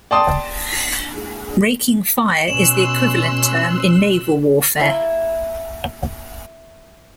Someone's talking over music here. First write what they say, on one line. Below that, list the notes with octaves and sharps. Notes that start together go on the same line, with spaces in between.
Raking fire is the equivalent term in naval warfare.
D5 G5 A5 C6 D#6
B2 C#4 C6 E6 F#6 E7 F#7
A#3 E4